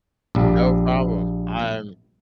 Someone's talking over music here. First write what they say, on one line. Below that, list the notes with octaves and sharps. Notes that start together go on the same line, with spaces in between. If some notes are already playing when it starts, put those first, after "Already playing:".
No problem, I'm
A#1 G3